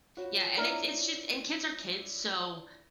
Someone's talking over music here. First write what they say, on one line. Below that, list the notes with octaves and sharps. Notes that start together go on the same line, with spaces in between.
yeah, and it's it's just a kids are kids, so,
F4 F#4 C#5
D4 E4 A#4 E5